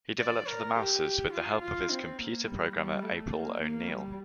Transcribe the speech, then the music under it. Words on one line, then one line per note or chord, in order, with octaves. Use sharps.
He developed the Mousers with the help of his computer programmer April O'Neil.
D5
A#4
G4
F4
F4
C4
A#3
G3
G3
A3
A#3
A#3
G3